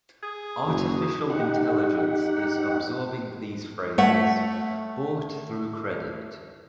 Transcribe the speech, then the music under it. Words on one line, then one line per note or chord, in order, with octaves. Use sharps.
Artificial intelligence is absorbing these phrases bought through credit.
G#4
F#1 F#4
D#4 G4 F#5
A3 C#5 E5 F#5